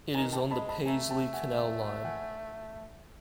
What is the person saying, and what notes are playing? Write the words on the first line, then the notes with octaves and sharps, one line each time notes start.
It is on the Paisley Canal Line.
D#3 G#5 A#5
G5 A5
G#3 A5 B5
A5 B5
A3 G#5 A#5
G5 A5
F#5 G#5
E5 F#5
F#5 G#5